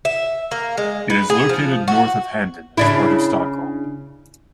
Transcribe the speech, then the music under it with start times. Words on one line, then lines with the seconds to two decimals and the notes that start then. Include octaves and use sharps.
It is located north of Handen and is part of Stockholm.
0.05 E5
0.51 A#3
0.77 G#3
1.10 B4
1.30 G#4
1.49 F3
1.88 F#4
2.77 C#3 D4 E4